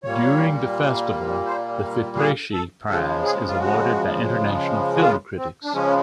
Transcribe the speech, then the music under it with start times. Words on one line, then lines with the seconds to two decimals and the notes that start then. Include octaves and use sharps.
During the festival, the "Fipresci Prize" is awarded by international film critics.
0.04 A#2 G3 A#3 C#5
1.46 C5
2.17 G#4
2.53 A4
2.88 C#3 F3 G#3 A4
3.23 G#4
3.47 F4
3.59 F#4
4.96 F#4
5.01 F4
5.37 C4
5.64 D4
5.73 C#3 F3 G#3 C#4